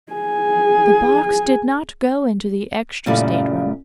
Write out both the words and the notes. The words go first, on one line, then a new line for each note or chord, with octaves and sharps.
The box did not go into the extra state-room.
G#4 G#5
F#2 A#2 C#3 G3 A3 E4